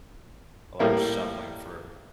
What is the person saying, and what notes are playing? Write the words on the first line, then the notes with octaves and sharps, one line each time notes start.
a lotta shoveling for
A2 G3 A#3 E4